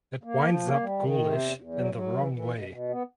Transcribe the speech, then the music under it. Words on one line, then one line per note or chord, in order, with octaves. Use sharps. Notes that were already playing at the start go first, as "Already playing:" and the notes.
It winds up ghoulish in the wrong way.
A#3
F3
A#3
G3
D#3
C3
E2
E2
F#3
F#3
E3
E3
B2
B2
B3